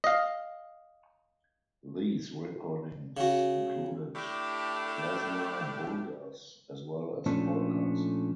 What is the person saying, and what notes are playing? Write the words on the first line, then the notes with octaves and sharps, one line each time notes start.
These recordings included klezmer "bulgars" as well as polkas.
D#5 F5
C#3 F#4
A2 A3 D4 G4
A#2 F3 A3 C#4 D4 A4